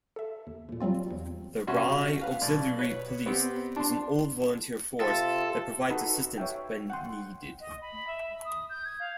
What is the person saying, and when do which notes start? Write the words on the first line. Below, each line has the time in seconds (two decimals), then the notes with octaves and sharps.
The Rye Auxiliary Police is an all-volunteer force that provides assistance when needed.
0.16 A4 E5
0.47 D#2
0.69 D#2 A#2
0.80 F#3 G3 C4 F4
1.11 E2
1.67 C2 C#4 F#4 E5 C6
2.21 B4 F5
2.41 B1 D5
2.79 B4 C#5
3.26 B3 C4 G4
3.76 D4 C6
5.00 C3 F4 A4
5.90 D#4 F#4 G#4 A4 B4 B5
6.38 C#5 E5 G5
6.90 F#5 G5 C6
7.60 D#5
7.81 B5
8.07 E5
8.45 D#6
8.70 G6
8.85 G#6
9.00 F5